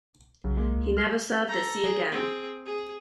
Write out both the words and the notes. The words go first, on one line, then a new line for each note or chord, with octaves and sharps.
He never served at sea again.
B1 C#3 F#3
G#3 A#3
C#2
F6 A6
A4 A#5
G#4
C4 G#4
G#4